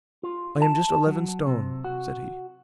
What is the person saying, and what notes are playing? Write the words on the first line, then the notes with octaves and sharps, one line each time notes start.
"I am just eleven stone," said he.
F4
A5
F#3
C3
F#4